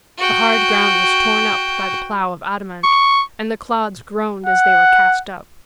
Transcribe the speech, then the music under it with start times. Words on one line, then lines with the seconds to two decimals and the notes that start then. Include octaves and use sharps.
The hard ground was torn up by the plow of adamant, and the clods groaned as they were cast up.
0.18 F#4 G5
2.84 C#6
4.46 F#5